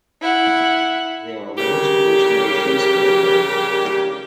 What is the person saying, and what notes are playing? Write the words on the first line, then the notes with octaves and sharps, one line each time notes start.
There are multiple generations per year.
E4 F#5
C#3 G3 G4 A#4